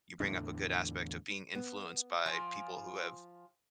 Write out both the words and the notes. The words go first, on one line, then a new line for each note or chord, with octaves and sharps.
you bring up a good aspect of being influenced by people who have
E2 A2 D3 D4
B3
F3 F4 G5 G#5